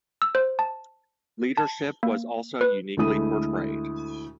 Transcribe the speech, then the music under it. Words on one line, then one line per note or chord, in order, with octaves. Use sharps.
Leadership was also uniquely portrayed.
E6
C5
A5
A5
A#3
B4
D2 G#3 A3 E4 D#6 D#7